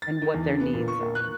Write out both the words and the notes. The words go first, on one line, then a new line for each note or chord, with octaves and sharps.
and what their needs are.
A6
D#3
E2
D3
B3
A#2
C#6
A#3
F#6